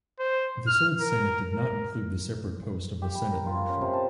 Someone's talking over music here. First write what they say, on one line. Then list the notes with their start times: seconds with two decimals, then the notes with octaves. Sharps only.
This old senate did not include the separate post of the Senate Marshal.
0.19 C5
0.67 F6
1.00 A#4
1.53 A#4
3.02 G4
3.15 B5
3.32 A#4
3.46 F4
3.69 C#4
3.81 C3
3.93 A5